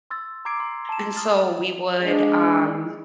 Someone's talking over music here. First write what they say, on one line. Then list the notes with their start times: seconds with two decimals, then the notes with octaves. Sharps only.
and so, we would, um,
0.10 C6 E6 A6
0.45 A#5 C6 D6 G#6 C7 D7
0.60 C6
0.89 A5 E7
1.16 D#6 F6 A6
2.03 G#3 D4